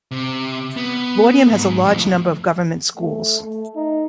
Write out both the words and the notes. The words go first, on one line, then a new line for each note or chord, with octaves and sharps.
Laudium has a large number of government schools.
C3
B3
G#2
F2 A2
A3
A3
D#4